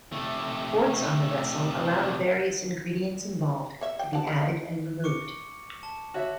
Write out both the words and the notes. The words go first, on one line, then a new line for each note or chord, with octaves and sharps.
Ports on the vessel allow the various ingredients involved to be added and removed.
C3 A3
C#5 E5
G5
F#5 A5
A#5
G#3 A#3
C#6 D6 C#7
A5
F#4 C#5 E5